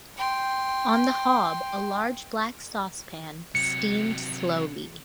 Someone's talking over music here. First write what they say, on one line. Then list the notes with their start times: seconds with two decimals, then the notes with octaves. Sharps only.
On the hob a large black saucepan steamed slowly.
0.17 G5 C6
3.55 C3 F#3 C#7